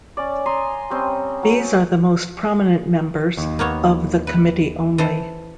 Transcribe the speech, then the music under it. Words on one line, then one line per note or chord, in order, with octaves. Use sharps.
These are the most prominent members of the committee only.
C#4 D5
G#5 A#5 C6 D#6
G3 C4 C#4 D#5
F#3
D#2
A#3 B3 C#5
B4
E3 A4 C5